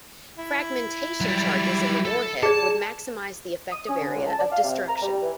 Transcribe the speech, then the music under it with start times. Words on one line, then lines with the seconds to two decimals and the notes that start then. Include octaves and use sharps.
Fragmentation charges in the warhead would maximize the effective area of destruction.
0.38 E4
1.21 F#3 G3
2.05 A4
2.43 G#4 D5 A5
3.72 D#6
3.88 C#4
4.01 D3
4.15 C#2
4.27 A5
4.39 D5
4.52 F5
4.63 C3
4.88 A#5
5.02 G3
5.22 E3